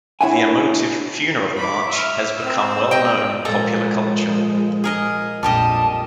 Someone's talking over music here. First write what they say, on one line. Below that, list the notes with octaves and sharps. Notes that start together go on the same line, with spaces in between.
The emotive "funeral march" has become well known in popular culture.
D4 E4 C#5 E5 F#5 G#5
B5 D6
E5 F6
C4 E6
D#5 G5
A#2 F3 G#3 A4 A#5
G#4 A#4 D#5
A#1 F2 G3 G4 D#5 A5